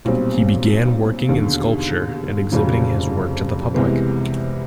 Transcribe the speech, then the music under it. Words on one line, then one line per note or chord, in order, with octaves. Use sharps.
He began working in sculpture, and exhibiting his work to the public.
B1 A#2 G3 C4
E1 D#2 D3
F1 F2 C#3 F#3
C2 C3 E3 G#3 B3